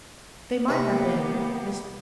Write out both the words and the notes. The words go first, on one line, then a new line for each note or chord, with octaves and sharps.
They might have been--Mrs.
C3 A#3 B3 G4 B4